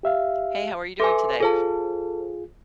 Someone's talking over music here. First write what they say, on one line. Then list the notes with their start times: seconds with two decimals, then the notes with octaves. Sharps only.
Hey, how are you doing today?
0.03 G4 E5 F5
1.00 A4 B4 E5 G#5 C6 D6
1.40 F4 G#4 A4 C5 A5